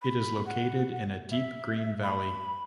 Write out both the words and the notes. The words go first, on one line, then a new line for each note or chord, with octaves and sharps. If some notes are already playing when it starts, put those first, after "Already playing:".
It is located in a deep green valley.
B5
F#5
E5
B5